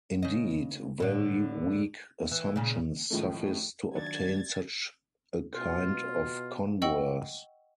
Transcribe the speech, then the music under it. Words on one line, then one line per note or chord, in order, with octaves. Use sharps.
Indeed, very weak assumptions suffice to obtain such a kind of converse.
C#3 D#5
A2 D3
E3
A#2 C#3
A2 D#3 F3 G#3 A3
D#2 D#3 F#3 D4 G#6 A6
B2 F4
D#5 F#5 G5 C#6 E6 F#7